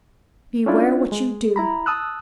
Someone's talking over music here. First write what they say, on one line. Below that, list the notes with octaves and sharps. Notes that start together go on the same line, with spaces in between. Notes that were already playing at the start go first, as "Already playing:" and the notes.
Beware what you do.
C#4 D4 E4 F4
G#3
E4 A#5 B5
A5 D#6 E6 F#6